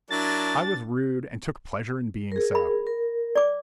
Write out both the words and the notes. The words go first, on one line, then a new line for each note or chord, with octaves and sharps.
I was rude and took pleasure in being so.
F#3 D4 E4 A#4 A6
G#4 A#4
B5
A#4
D5 D6